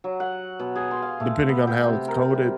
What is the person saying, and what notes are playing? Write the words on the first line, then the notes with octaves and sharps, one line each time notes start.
depending on how it's coded
F#3
F#5
B2
G#4
C6
F5
A3
B3
G5
C3
A#4
G3